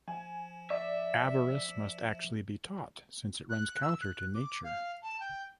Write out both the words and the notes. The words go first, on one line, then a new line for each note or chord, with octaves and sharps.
Avarice must actually be taught since it runs counter to nature.
F3 G#5
D5 E5
F#6
E6
F#6
D6
F5
A5
G5